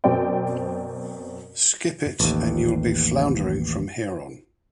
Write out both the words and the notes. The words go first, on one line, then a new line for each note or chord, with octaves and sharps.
Skip it and you'll be floundering from here on.
F#2 B2 C4 D5 G5
A1 D#2